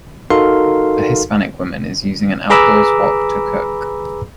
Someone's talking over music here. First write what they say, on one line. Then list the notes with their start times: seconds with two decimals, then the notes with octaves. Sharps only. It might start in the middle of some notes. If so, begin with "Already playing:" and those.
A hispanic woman is using a outdoors wok to cook.
0.30 D#4 F#4 A4 A#4 F5 C6
2.50 G#4 B4 A#5 B5 D6 E6